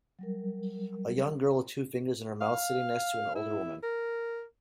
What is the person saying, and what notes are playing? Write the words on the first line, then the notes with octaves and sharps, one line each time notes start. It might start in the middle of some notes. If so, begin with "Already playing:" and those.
A young girl with two fingers in her mouth sitting next to an older woman.
F#3 G3 A#4
F5
E4
A#4